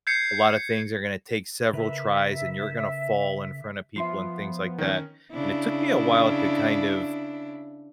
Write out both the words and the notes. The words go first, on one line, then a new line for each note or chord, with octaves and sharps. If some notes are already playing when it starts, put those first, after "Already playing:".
A lotta things are gonna take several tries, and you're gonna fall in front of people and things like that, and it took me a while to kind of
G6 G#6 C7 C#7
C#3 A#4 B4 E5
F3 B3 E5 C6 C7
D#3 C#4
C#3 D4 E4